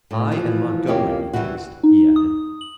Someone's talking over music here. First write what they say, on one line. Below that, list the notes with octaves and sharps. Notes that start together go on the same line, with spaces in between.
"I and Montgomery, at least," he added.
A2
E3 F3
F2 C#3 A#3 G4 C#5
E2 E3 G3 E4 F#4
D#4
D#6
F#7